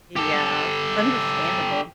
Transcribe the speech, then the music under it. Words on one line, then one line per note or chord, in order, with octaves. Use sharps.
Yeah, understandable.
G4 A4